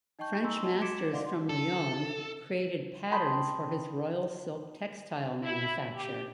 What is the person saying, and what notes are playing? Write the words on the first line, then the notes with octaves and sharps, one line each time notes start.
French masters from Lion created patterns for his royal silk textile manufacture.
D#4 D#5 G5 A5 C#6 G6
D#5 G#5 A#5 C6 C#6 E6
D#5 G5 A5 C6
D6 G#6 B6 C#7 D7 E7
D5 D#5 F5 F#5 C6 D6
A4
G5 A5 B5 C6 D#6 G6
E4
G4